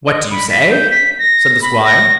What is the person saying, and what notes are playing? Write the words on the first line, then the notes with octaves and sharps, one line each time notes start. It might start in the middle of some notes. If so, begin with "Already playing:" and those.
'What do you say?' said the Squire.
D#5
B5
B6
G6
B6
A#6
B5
A#6